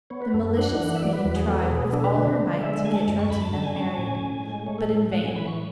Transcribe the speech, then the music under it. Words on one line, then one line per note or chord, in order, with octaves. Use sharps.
The malicious queen tried with all her might to get Troutina married, but in vain.
B3 C#5
B4
F#2 A4
A4
D4 F#5
E3
E5
F#3 D5
B4
E2 B4
G#4
B3 A4
B2 G#4
D4 A4
B4
D3 B4
B4
D3
G#3 E5
A3 G#5
A5
F#2
C#6
F#2 B5
A5
D3 A5
G#5
C#4 A5
A2 G#5
A2
G#3
A3 C#5
A4
A2 A4
A2 F#5
G#5
E3 B5
C#6